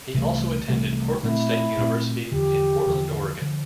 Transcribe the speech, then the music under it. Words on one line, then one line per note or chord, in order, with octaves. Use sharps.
He also attended Portland State University in Portland, Oregon.
C2 C3 E3 A3
C2 C3 E3 A3
A#2 A3 C4 E4
A#2 A3 C4
E2 D3 F3 G4
E2 D3 F3
D3 F3